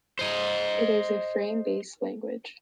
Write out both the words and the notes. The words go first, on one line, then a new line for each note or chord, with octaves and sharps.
It is a frame-based language.
C5 D#5